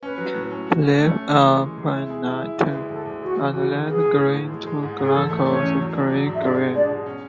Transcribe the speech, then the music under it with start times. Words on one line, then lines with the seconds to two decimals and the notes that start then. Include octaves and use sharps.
The leaves are pinnate and light green to glaucous grey-green.
0.02 C#4 B4
0.18 F#3
0.34 A2
0.51 C#4
0.67 F#4
0.82 C#4
0.98 A3
1.15 C#4
1.31 E3
1.47 G#3
1.62 G#3
1.78 G#3
1.95 E4
2.10 G#4
2.26 E4
2.42 E4
2.58 D2 B4
2.74 G#3
2.90 D2 A4
3.05 D2
3.21 G#3 F#4
3.37 E3
3.53 D2 F#4
3.70 C#3
3.86 B3 G#4
4.02 A2
4.18 A2
4.33 A2
4.50 G#3
4.66 G#3
4.82 G#2
4.98 G#2
5.03 G#4
5.13 E2 A4
5.30 A3
5.46 A3 C#4 C#5
5.61 E2
5.78 F#3
5.93 D4
6.09 F#3
6.25 G#2
6.34 E5
6.41 G#3 D4 D5
6.58 G#3
6.73 B2 D4 D5
6.90 B2
7.06 C#4